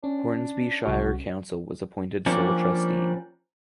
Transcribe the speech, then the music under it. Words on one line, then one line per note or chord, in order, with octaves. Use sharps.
Hornsby Shire Council was appointed sole trustee.
C#4 D4
C2 F#4
F3 G3 A#3 C#4 D4